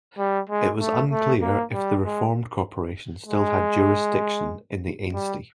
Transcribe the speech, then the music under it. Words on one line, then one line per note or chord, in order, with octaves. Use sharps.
It was unclear if the reformed corporation still had jurisdiction in the Ainsty.
G3
G#3
A3
A3
A#3
G3
G#3
G#3
G3